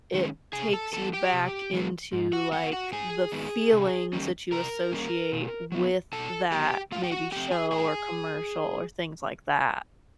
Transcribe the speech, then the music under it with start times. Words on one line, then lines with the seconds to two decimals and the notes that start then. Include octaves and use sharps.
it takes you back into, like, the feelings that you associate with that, maybe, show, or commercial, or things like that.
0.14 D#3 G#3 C#4
0.53 C3 G#4 G#5
0.73 A4 A5
0.93 E3 G#3 B3 A4 A5
1.13 G4 G5
1.33 C3
1.73 E3 G#3 B3
2.13 G#2
2.33 F#4 F#5
2.52 D#3 G#3 B3 F#4 F#5
2.73 F#4 F#5
2.92 G#2 G#4 G#5
3.32 D#3 G#3 B3
3.72 C3
4.13 D#3 G3 A#3 C#4
4.52 C3 A#4 A#5
4.92 D#3 G3 A#3 C#4
5.32 B2
5.72 F#3 B3
6.13 B2 A4 A5
6.52 F#3 B3 G4 G5
6.92 A2 F4 F5
7.04 G5
7.12 F#4 F#5
7.32 F3 A3 C4 G4 G5
7.51 G#4 G#5
7.72 A2 G#4 G#5